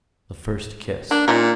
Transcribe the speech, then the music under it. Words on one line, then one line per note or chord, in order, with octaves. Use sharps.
The First Kiss.
A#3 D4
A#2 C#4 D#4 A#4